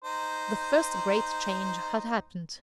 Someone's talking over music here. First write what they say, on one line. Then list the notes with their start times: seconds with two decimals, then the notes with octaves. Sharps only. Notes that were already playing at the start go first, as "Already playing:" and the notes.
The first great change had happened.
0.05 D#4 C5